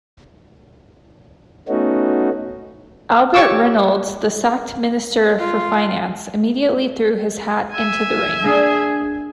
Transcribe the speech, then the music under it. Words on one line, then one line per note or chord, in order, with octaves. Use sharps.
Albert Reynolds, the sacked Minister for Finance, immediately threw his hat into the ring.
A3 B3 C#4 D#4 F#4
G4 C#5 C#6 D6 E6
F4
E5 G#5
A#3 D4 G#4